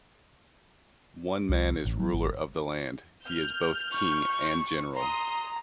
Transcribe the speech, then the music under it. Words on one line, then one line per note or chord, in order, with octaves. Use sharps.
One man is the ruler of the land: he is both king and general.
C2
A1
F#3
G#1
F6 G6
C#6
A#5 C6 D#6